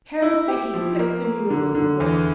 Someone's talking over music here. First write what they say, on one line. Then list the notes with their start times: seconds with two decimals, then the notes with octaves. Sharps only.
Carelessly he flicked the mule with the whip.
0.22 E4
0.48 G4
0.74 F3
0.99 A#3
1.25 A#3
1.50 D3
1.75 D3
2.00 E2